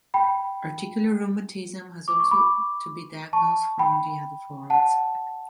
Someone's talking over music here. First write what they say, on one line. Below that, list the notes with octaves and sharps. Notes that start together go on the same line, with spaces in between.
Articular rheumatism has also to be diagnosed from the other forms.
G5 B5
D6
C#6
B5 D6
A5 C#6
G5 B5
F#5 A5